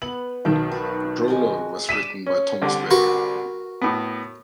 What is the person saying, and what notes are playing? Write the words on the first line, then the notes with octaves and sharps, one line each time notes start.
The prologue was written by Thomas Baker.
B3 F#7
B1 D#3 G5
F#4 B4
G#3 F#4 G5
D5 D6 B6 D#7 E7
C#4
C2 D3
F#4 A#4 B4
A2 B3